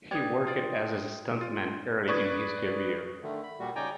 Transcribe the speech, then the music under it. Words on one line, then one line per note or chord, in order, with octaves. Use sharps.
He worked as a stuntman early in his career.
B4 C#5 D5 G5 D#6
F4 D5
F4
B4 D5 C#6 D#6 G#6
D3 D#3 A3
B5
A#2 G3 F#4
C#3 D#4 D5 G5 G#5 A#5